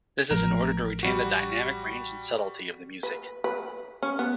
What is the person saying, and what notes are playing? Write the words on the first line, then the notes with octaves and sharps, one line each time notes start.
This is in order to retain the dynamic range and subtlety of the music.
A1 F3 A3 A#4
G3 F#4
B4
B4
C#4
B3